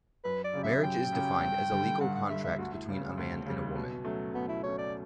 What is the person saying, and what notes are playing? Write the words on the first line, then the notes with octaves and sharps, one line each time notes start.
Marriage is defined as a legal contract between a man and a woman.
F#2 B4
D5
C#3 F#3 C#4 G4
E5
F#2 G5
C#3 F#3 C#4 G4
G2
D3 G3
G2 F#5
F#5
D3 G3 E5
E5
D2 F#4
E4
C#3 G3
C#4
D2
C#3 G3
B2
F#3 A3 C#4
B2 B3
E4
F#3 A3 C#4 C#5
D5